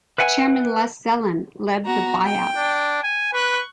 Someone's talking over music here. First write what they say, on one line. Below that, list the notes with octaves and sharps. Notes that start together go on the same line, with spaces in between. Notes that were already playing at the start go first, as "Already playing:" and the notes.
Chairman Les Zellan led the buy-out.
B4 E5 F#5 G#5
B3 F#4 A#5
G5
D4
G#5
B4 C#6 F#6